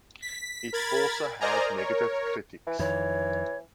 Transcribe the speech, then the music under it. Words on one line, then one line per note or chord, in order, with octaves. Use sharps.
It also had negative critics.
B6
A#4 B5 G#6 A6
A#4 C5 D5 D#5 G#5 A#5
A#4 C#5
E3
F2 D#3 E3 C#5